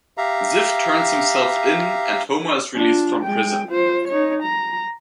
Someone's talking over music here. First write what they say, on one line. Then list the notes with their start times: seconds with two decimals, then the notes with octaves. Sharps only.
Ziff turns himself in, and Homer is released from prison.
0.18 G4 E5 F5 A#5
2.76 D4 F4
3.24 G#3 G5
3.68 F4 C5
4.08 D#4 C#5
4.43 A#5